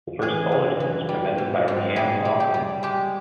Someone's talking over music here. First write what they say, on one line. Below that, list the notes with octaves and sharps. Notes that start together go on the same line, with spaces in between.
The first bulletin was presented by Leanne Malcolm.
E3 G#4
G2
E3
G3
G#2
G#2
G3 G#4
G3
G4
G3
G#3 G4